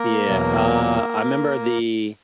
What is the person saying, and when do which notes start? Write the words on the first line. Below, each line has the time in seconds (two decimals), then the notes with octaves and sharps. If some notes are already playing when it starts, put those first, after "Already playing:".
Yeah, uh, I 'member the,
Already playing: A#3 A#4
0.27 E2 B2 F#3